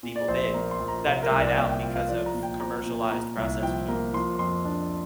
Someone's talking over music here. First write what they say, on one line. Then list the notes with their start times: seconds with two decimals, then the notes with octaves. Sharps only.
people did that died out because of commercialized processed food, so.
0.03 A#2
0.16 D5
0.28 A#1 C5
0.42 D5
0.54 A#3 A#5
0.71 C6
0.80 A#1
0.88 A#5
1.06 C3
1.23 A#4
1.31 C2
1.40 D5
1.57 A#3 G5
1.70 G5
1.83 F4 G5
1.96 F5
2.08 F3 D5
2.26 A#5
2.34 A#2
2.43 G5
2.60 C4 A#5
2.86 A#2
3.02 G5
3.11 A#2 A#5
3.37 C2
3.62 F3 G5
3.88 A#3 A#5
4.14 F3 C6
4.39 F2 C6
4.65 D4